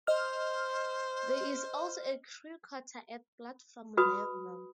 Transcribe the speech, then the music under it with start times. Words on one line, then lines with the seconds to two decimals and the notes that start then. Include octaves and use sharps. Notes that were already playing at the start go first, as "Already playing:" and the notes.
There is also a crew quarter at platform level.
0.07 C5 D#5 F6
3.97 F#4 B4 B5 D#6